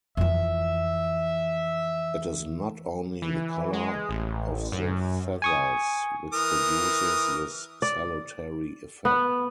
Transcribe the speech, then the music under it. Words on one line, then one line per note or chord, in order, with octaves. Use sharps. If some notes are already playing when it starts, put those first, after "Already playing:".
It is not only the color of the feathers which produces this salutary effect.
F2 E3 E5
E3
G#3
A1
F#2
G#5 C#6 D#6
E3 A#4 D#6
D5
B3